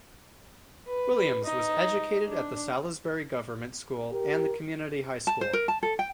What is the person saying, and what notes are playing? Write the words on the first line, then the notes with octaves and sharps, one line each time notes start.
Williams was educated at the Salisbury Government School and the Community High School.
B4
D#4
D4
G4 A#4
A5
C5
A#4
A5
A4
G5